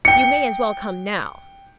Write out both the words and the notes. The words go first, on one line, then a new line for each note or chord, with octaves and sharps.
You may as well come now.
G5 C#7